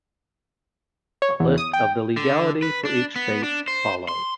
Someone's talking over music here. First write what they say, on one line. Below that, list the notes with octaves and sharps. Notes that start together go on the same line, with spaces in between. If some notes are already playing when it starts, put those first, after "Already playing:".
A list of the legality for each state follows.
C#5
E2
D#6
G5
D3
B4
D4
B3
D4
C5
C6